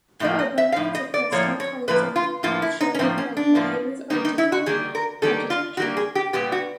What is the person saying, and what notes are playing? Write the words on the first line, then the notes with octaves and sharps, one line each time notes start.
The abundance of pastel colors on the show reflected Miami's Art-deco architecture.
A2 F3 A#3
D#5
E5
F5
A2 F3
D#5
D5
A2 F3 A#3 C#5
C#5
A2 F3 A#3 B4
F4
A2 F3 A#3 F4
E4
D#4
C#4
A2 F3 A#3 C4
C#4
D4
A2 F3 A#3
D#3 G3 A#3 D#4
D#4
E4
F#4
D#3 G3 A#3 G#4
A#4
D#3 G3 A#3 A4
F4
D#3 G3 A#3 F#4
G#4
G4
A#2 G3 B3 G4
F#4